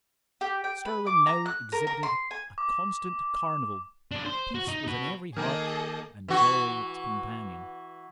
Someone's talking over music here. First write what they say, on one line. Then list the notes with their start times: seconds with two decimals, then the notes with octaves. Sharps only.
Stirling now exhibited a constant carnival; peace was in every heart, and joy its companion.
0.41 G4
0.64 G5
0.85 B4
1.07 D6
1.27 A#5
1.46 F#6
1.72 A#4
1.87 A#4
2.03 C6
2.31 G#5
2.58 D6
4.12 D4 G#4
4.25 C5
4.55 F#4
4.68 D#4
4.87 F#4 B4
5.37 D#3 A#3 G#4 A4 D#5 G#5
6.28 E3 F#4